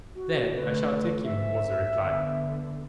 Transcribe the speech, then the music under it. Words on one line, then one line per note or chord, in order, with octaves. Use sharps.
"Then I shall take him," was the reply.
F#4
D3 A3 B4
G#2 E5
D3 B3